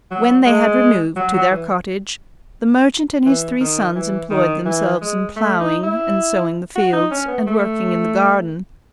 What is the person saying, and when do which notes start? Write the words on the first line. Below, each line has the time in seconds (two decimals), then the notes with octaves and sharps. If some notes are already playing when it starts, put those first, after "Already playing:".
When they had removed to their cottage, the merchant and his three sons employed themselves in ploughing and sowing the fields, and working in the garden.
0.11 F#3
0.46 G#3
1.16 F#3
1.34 F#3
1.51 E3
3.26 E3
3.60 D#3
3.95 E3
4.31 D#3
4.65 E3
5.01 G#3
5.36 A3
5.60 D#4
5.83 E4
6.75 F#4
6.93 D#4
7.11 C#4
7.28 B3
7.46 A3